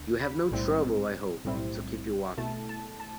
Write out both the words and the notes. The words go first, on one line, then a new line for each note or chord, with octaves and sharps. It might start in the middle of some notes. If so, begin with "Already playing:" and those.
You have no trouble, I hope, to keep you waking?
Already playing: D2 D3
B5
B1 A2 G3 C4 E4
B1 A2 G3 C4 E4
B2 A3 E4 A5
A5
A5